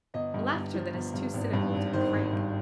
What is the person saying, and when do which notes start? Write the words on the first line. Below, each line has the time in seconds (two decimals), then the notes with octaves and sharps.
A laughter that is too cynical to be frank.
0.14 G1 D#5
0.34 G2
0.54 G1
0.74 F3
0.94 G1
1.14 G2
1.34 G#1
1.53 G2
1.74 G#1
1.93 D#3 C5
2.12 G#1
2.33 G2